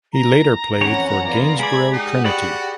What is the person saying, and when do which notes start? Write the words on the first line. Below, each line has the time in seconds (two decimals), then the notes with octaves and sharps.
He later played for Gainsborough Trinity.
0.13 A#5
0.81 F2 E3 C#4 C#5 F#5
1.26 B3 F4 D5
1.59 G#3 D5 B5 G#6
1.93 D#4 G4 F#5
2.24 F#4 G#4 D5 B5